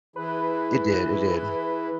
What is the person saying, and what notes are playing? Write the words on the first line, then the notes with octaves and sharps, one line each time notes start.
It did. It did.
E3 E4 G#4 B4